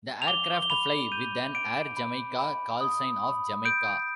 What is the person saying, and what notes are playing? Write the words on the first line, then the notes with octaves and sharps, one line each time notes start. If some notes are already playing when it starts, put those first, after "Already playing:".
The aircraft fly with an Air Jamaica callsign of "Jamaica".
F7
D6 G7
G7
B5 F7
G6 D#7
D6 D7
B5
B5
D#6
B5
G6 D7